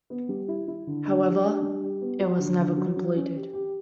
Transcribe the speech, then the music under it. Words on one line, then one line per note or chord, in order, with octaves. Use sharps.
However, it was never completed.
B3
G3
E4
E4
D3
D4
G4
D4
G3
G4
B3
F#4
D3
D3
F#3
F#3
C#4
G4
G4